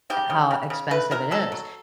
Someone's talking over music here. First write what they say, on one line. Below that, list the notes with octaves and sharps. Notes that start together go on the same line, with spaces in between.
how expensive it is.
C#3 G4
C#3
C#3
C#3
A3 B4
F#3 A#4
F#3 A4
F#3